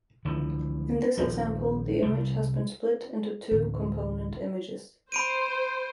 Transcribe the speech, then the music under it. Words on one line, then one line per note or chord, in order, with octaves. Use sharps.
In this example, the image has been split into two component images.
C#2 D3 E3 F3
D#1 A#1 F3
C2 G3
A1 D2
C5 B5 D7 D#7